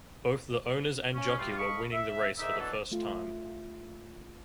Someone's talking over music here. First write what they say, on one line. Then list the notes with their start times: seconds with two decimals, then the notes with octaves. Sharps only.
Both the owners and jockey were winning the race for the first time.
1.14 C#4
1.38 G3 A3 F4
1.57 A4 D#5 F5 B5 C#6
1.93 E5
2.38 G#2 D3 D#4 A#4 E5
2.58 B2 E3 F#3 D4 A4
2.92 A3 F4